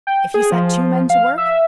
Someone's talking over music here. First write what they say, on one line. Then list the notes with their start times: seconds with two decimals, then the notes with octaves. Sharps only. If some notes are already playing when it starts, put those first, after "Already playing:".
"If you set two men to work?"
0.07 G5
0.34 G#4
0.52 F3
1.10 F5
1.38 E5